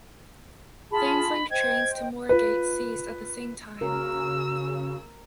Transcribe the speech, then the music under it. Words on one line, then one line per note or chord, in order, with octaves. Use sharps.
Thameslink trains to Moorgate ceased at the same time.
F4 G#4 A5 B5
C5 D#5 G5 G#6
F4 B4
C#3 F#4 A#4 E6